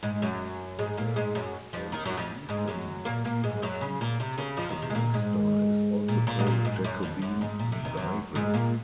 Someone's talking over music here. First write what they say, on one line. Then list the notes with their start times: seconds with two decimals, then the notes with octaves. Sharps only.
The "Jacobethan" architectural style is also called "Jacobean Revival".
0.03 G#2 G#3
0.22 F#2 F#3
0.79 G#2 G#3
0.97 A#2 A#3
1.16 G#2 G#3
1.35 F#2 F#3
1.73 F2 F3
1.92 D#2 D#3
2.05 F#2 F#3
2.17 F2 F3
2.49 G#2 G#3
2.68 F#2 F#3
3.05 A#2 A#3
3.25 A#2 A#3
3.44 G#2 G#3
3.62 F#2 F#3
3.81 C#3
4.01 A#2
4.20 C3
4.38 C#3
4.57 F2 F3
4.69 D#2 D#3
4.82 C3
4.90 G#3
4.95 A#2 A#3
5.14 G#2 G#3
6.08 A#2
6.27 A#2
6.39 G#2
6.47 A#2
6.65 G#2
6.84 F#2
7.03 F2
7.22 F#2
7.41 G#2
7.59 A#2
7.72 C3
7.85 D#2 D#3
7.97 F#2 F#3
8.35 G#2 G#3
8.54 A#2 A#3